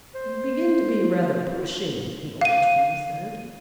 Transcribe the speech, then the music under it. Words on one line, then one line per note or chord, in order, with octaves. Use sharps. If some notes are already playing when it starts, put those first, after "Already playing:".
"You begin to be rather pushing," the Old Tree said.
C5
F5 D#7